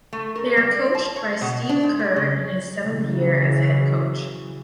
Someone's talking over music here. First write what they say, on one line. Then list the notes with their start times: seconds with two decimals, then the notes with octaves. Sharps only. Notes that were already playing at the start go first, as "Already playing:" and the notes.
They are coached by Steve Kerr in his seventh year as head coach.
0.13 A3
0.36 A#4
0.57 G3
0.72 D5
0.95 A5
1.16 C#5
1.41 B2
1.69 D4
1.83 G#2
1.99 G3
2.16 C#3
2.81 C#3 E3 F#3